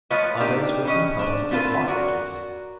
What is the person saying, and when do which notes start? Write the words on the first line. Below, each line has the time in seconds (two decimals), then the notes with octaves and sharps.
Others were compelled to give hostages.
0.10 F3 A3 F4 B4 C#5 D#5
0.40 A#3 D4 D#4 G4
0.85 E3 C#4 D#5
1.19 D4
1.51 A3 C4 F4 B4
1.87 F#4 A#4 C#5 D5